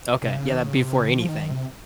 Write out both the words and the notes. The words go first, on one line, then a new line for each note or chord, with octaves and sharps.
Okay. Yeah, that'd be for anything.
C3
C#3
D#3
C#3
C3
C#3
D#3
F3
D#3
C3